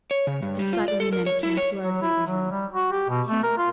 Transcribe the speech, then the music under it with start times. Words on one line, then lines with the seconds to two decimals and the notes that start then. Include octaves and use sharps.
"Decidedly, Manicamp, you are a great man."
0.11 C#5
0.27 C#3
0.42 G2
0.59 G3
0.73 F4
0.88 D5
1.00 A4
1.13 A#4
1.26 C#5
1.43 E4
1.57 C#5
1.82 F#3
2.02 E4
2.27 F#3
2.51 G3
2.74 F#4
2.92 G4
3.09 B2
3.28 A3
3.43 A#4
3.58 F4